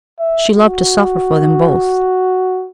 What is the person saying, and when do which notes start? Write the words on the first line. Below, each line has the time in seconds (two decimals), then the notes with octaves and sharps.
She loved to suffer for them both.
0.20 E5
0.55 F#4